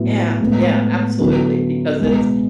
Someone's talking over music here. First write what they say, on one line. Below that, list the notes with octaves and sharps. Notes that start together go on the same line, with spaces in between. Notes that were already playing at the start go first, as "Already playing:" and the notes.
Yeah yeah, absolutely, because it's
Already playing: A2 F#3 B3 E4
A2 G#3 B3
D3 F#3 B3
B2 G#3 B3